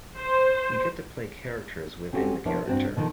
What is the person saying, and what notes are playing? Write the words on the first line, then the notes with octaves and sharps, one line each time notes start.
You get to play characters within the character.
C5
C4 C#4 F#4 G4 A4 F5
F3 B3 D4 E4 A#4 C#5
G2 C4 F#4
B2 D3 D#3 F3